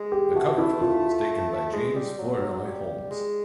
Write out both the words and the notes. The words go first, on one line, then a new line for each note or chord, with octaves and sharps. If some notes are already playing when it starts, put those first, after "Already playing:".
The cover photo was taken by James Flournoy Holmes.
Already playing: G#3
G4
A3 F#4
E4
F4
G#3
G3
F#3
F#3
G3
G#3